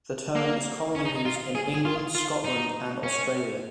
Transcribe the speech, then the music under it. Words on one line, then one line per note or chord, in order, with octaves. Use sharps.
The term is commonly used in England, Scotland and Australia.
A#3
C#4
D#4
D#4
F4
G#4
G#4
F4
F4
D#4
C#4